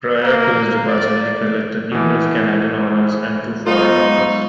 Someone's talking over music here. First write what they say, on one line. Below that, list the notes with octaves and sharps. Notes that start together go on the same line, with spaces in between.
Prior to his departure he collected numerous Canadian honours and two foreign honours.
A#3
D5
B2 E3
F#3 B3 D#4 F4 C#6